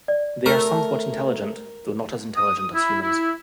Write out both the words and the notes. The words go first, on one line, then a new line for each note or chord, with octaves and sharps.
They are somewhat intelligent, though not as intelligent as humans.
D5
A3 A#4 C#6
D#6
E4
E4